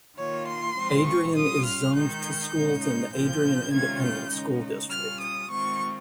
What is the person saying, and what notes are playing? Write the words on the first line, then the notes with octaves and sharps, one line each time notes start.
Adrian is zoned to schools in the Adrian Independent School District.
D#3 A#3 F4 C#5
C6
F3 G#3 C4 F4
C#6
G3 C#4 F4 D#6
F6
D#3 G#3 D#4 G6
C#3 G#3 D#4
G6
A#2 F3 C4 F4 G6
C3 D#3 G#3 C#4 F4 G#6
G6
C#3 G#3 D#4
G3 C#4 F4 F6
D#6
D#3 G#3 C4 F4 C#6